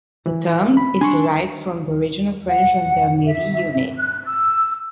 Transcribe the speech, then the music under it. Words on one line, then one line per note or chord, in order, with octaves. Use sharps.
The term is derived from the original French Gendarmerie unit.
E3
B5
D4 G#5 C6 C#6
F#5
E5
F#6
E6